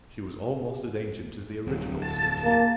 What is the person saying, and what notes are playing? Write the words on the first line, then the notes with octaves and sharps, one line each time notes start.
She was almost as ancient as the original Circe.
D1
A5
A#3